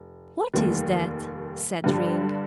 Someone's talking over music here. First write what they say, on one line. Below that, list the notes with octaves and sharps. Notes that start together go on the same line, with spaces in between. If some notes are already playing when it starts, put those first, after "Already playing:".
'What is that?' said Ring.
Already playing: F1
F1 D#2 D#3 G3
G2 D3 G3